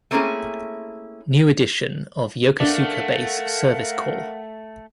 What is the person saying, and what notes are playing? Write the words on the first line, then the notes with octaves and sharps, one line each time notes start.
New edition of Yokosuka Base Service Corps.
A3 A#3 C4 C#4 E4 G#4
A3 D4 A#4 F5 F#5